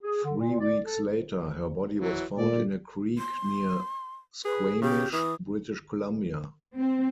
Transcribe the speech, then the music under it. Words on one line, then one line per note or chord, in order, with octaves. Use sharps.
Three weeks later, her body was found in a creek near Squamish, British Columbia.
G#4
D3
A#2
D5
A4
E3 F#3
A#2 D5
C6
G#4 B4
C#3 G4
E3 D#6
C4